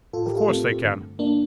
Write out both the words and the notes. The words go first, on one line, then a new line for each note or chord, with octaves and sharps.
Of course they can.
A2 F4 A4
G4 A#4
F4 A4
A3 C4
G2 D3
A#3 D4